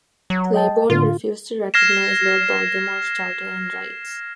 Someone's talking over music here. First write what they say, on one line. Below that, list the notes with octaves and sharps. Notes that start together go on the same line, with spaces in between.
Claiborne refused to recognize Lord Baltimore's charter and rights.
F#3
D#5 G5 A5
A2 D3 F4
F6 G#6 A#6 C7 E7